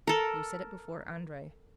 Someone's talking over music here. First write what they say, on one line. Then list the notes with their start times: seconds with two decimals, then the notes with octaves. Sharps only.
You said it before Andrey.
0.07 A4 A#4